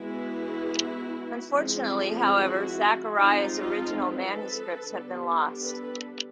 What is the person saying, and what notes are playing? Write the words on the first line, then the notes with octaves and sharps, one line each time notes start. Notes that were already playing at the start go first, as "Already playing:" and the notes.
Unfortunately, however, Zachariah's original manuscripts have been lost.
Already playing: E3 G#3 B3 E4 F#4
F3 G#3 C4
E4 F#4
F3 G#3 C4 D#4 F4
D#4 F4
A4 B4
D3 G3 B3 D4
A4 B4